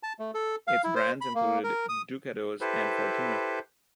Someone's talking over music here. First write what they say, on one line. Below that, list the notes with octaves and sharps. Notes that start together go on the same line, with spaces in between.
Its brands included Ducados and Fortuna.
A5
A3
A4
F5
E4
C5
B5
A#3
A#4
D#6
E4 G4 A4 B4 C5